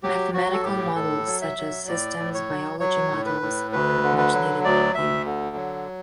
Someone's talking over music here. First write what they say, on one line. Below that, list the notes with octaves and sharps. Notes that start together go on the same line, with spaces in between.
Mathematical models, such as systems biology models, are much needed here.
F#3 G4
F#3 F#4
A4
A2 G4
A2 A4
F#3
E5
F#3
A2 D5
A2
C#5
F#3
F#3 C#5
A2
B4
A2
D2 B4
D3
B4
F#3
D2 D5
D2 E5
D3
F#3